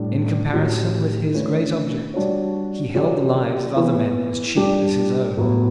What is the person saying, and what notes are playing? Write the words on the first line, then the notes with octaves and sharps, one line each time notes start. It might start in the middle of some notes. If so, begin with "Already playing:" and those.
In comparison with his great object he held the lives of other men as cheap as his own.
Already playing: A2 G3 D4
A2 F#3 C#4 E4 G4
D3 A3 C#4 E4 B4
G3 D4 F#4 C#5
F#3 C#4 G4 D5
E3 B3 E4
G3 D4 G4
A2 F#3 B3 E4